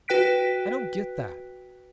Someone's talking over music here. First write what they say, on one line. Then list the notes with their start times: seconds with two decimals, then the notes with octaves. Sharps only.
"I don't get that."
0.08 F#4 B4 G5 F#6 B6 D7